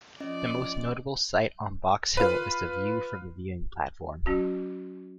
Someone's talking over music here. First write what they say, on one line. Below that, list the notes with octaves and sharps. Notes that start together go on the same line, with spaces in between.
The most notable sight on Box Hill is the view from the viewing platform.
F3 C#4 D5 D#5
F4 B4
F#3 C#4 F#4